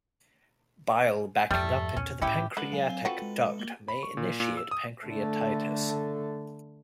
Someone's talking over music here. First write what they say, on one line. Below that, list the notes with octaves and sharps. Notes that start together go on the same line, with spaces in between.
Bile backing up into the pancreatic duct may initiate pancreatitis.
F2 G#2 G3 A3
E2 A#2 C#4
A2 B3 C#4 E4 G4
D3 G#3 A4 B4 B5
F#3 F5 G#5
C4
C4 F4 F#4 A4 B4
G#3
A#3
B5
C#6
A#2
A#2
E6
D#6
D3 A3